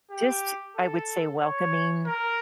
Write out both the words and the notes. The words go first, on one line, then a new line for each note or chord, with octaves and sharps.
just, I would say, welcoming,
G4
A4
C#5
A#4